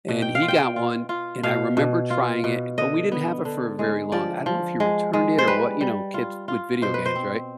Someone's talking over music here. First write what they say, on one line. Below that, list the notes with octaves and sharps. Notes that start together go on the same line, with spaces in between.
and he got one, and I remember trying it, but we didn't have it for very long. I don't know if he returned it or what, you know, kids with video games, right?
B2
G5
F5
F4
G5
F4
F4
B2 F5
B2
F4
B2
D3 D#5
B3
D3
G#3
F3 D5
F3
G#3
G#3
C5
G3 B4
G3
F4
F4
B2 C5
B4
C5
C4